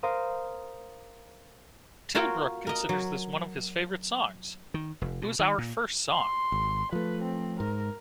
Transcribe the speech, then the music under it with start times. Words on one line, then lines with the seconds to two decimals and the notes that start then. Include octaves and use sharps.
Tilbrook considers this one of his favourite songs: It was our first song.
0.03 A#4 C5 F5 D#6
2.15 F4 F#4 A#4 C#5 G5
2.67 A#4 D#5
2.89 F#3
4.74 D#3
5.01 F1
5.22 B2
5.39 D#3
5.58 A#2
6.13 C6
6.52 G#1
6.92 F3 A3 B4
7.23 C4
7.60 G#2 A#4